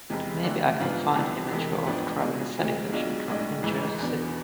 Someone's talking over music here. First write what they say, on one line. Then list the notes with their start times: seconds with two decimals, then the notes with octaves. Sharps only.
Maybe I can find him a job driving a sanitation truck in Jersey City.
0.10 F1 E2 C3 G#3
0.44 E2 D3 A3 D4
0.80 G#2 F3 B3 D4 F4
1.15 C2 C3 E3 B3 D4
1.51 E1 E2 C3 G#3
1.87 A1 G#2 F3 B3 D4
2.21 B2 G#3 D4 G#4
2.57 D2 C3 F3 G#3
2.92 B1 B2 G#3 D4 F4
3.28 B1 A2 G#3 D4
3.62 G#1 G#2 E3 G#3
3.99 E2 B2 B3 D4